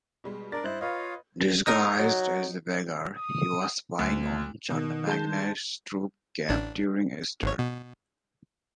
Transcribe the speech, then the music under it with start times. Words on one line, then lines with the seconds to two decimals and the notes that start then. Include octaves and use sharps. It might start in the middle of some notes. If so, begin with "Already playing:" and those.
Disguised as a beggar, he was spying on Charlemagne's troop camp during Easter.
0.24 B2 G3 G#3
0.52 D4 A#4 D5 A6
0.64 G2 E4 C5 D#5 F#6
0.81 F4 B4 C#5 D#5 F5
1.67 D#4 A#4
1.99 F#3
3.17 D#6
3.99 D2
4.70 B2 D#3
5.07 G#3 A5 G6
6.49 A1 D4
7.43 G#1 C#5
7.59 B2